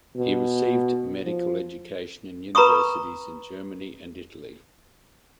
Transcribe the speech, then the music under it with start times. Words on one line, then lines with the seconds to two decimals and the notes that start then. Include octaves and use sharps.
He received medical education in universities in Germany and Italy.
0.16 B2
1.24 F3
2.55 B4 A#5 B5 C#6 D#6